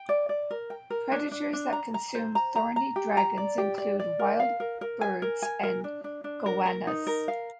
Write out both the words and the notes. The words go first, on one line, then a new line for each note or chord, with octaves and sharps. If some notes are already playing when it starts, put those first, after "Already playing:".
Predators that consume thorny dragons include wild birds and goannas.
Already playing: G5
D5
D5
A#4
G5
A#4
D4
D4
D4
A#5
A#5
C5
A#5
A#5
A#5
G4
A#5
D5
G4
D5
D5
A#4
F5
A#4
A#4
G#5
A#4
G#5
A#4
D4
D4
D4
A#4
A#4
D#4
A#4
F5